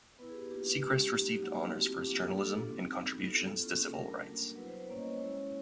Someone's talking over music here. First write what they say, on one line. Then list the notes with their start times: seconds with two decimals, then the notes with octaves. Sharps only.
Secrest received honors for his journalism and contributions to civil rights.
0.18 B3 E4 B4
0.30 G#4
0.34 G4
0.50 A#3 D4 F4 G4
0.81 G#3 C#4 F#4 G4
0.92 G4
1.02 G4
1.13 A#3 D#4 F#4
1.23 G4
1.33 F#4
1.43 F#3 A#3 D#4
1.75 A3 C4 E4 G4
2.06 F#3 A#3 D4 F4
2.37 A#3 D4 F4 A4
2.69 G3 C4 D#4 F#4
3.00 B3 D#4 F#4
3.31 B3 E4 A4
3.62 A#3 C#4 F4
3.94 F#3 A3 D4 A#4
4.25 G3 A#3 D4 F#4
4.56 F#3 B3 E4 B4
4.66 C5
4.77 C5
4.87 G3 A#3 C#4 C#5
4.98 D#5
5.08 C#5
5.18 G#3 C#4 E4